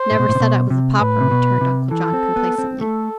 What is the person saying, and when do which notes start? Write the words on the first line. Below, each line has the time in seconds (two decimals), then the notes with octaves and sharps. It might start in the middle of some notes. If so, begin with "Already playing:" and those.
"I never said I was a pauper," returned Uncle John, complacently.
Already playing: C5
0.11 A2
0.19 B2
0.29 A2
0.35 C3
0.40 B2
0.70 C3
1.01 A2 B4
1.21 C3
1.31 B2
1.61 C3
1.91 E3 A4
2.13 C4
2.36 B3
2.58 C4
2.81 A3 A4